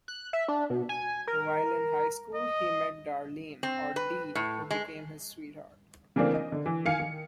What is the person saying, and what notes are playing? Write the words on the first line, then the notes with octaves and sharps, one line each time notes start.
While in high school he met Darlene, or "Dee", who became his sweetheart.
F#6
E5
D4
B2
G#5
A#4
D#5
C4
B4
A2
G#3
C#3 E3 A3 A#3 C4 D4
D#5
D3
E3
D#3 F5 G#5 C#7
D#3